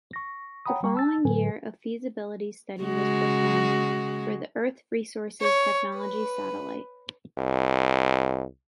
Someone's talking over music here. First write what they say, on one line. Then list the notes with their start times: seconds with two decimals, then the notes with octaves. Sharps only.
The following year a feasibility study was performed for the Earth Resources Technology Satellite.
0.13 C#6 A#6
0.66 C#5 F#5 G5 A#5 B5 D#6
0.83 G3 G5 C#6
0.95 A5 E6 A6
1.25 A2 D3 F#3 A4 B4 G#5
2.81 C#3 G#3 F#4
5.40 C#5
5.95 B4
7.38 C2